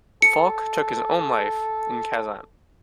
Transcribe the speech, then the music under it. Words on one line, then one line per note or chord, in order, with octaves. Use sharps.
Falk took his own life in Kazan.
A4 C#7